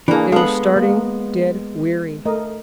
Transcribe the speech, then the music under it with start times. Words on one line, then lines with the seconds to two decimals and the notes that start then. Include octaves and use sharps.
They were starting dead weary.
0.08 E3 A#3 D4 G#4
0.32 G#3 B3 A4 F5
0.76 A#3
2.26 A3 A#4 D#5